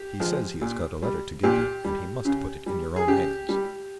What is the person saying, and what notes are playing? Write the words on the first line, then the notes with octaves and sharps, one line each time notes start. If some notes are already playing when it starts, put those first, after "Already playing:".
He says he has got a letter to give you, and he must put it in your own hands.
Already playing: G4
F3 G#3
A#2
G3
A#2 G4
G3
C#3
G3
G#4
C#3 G4
G3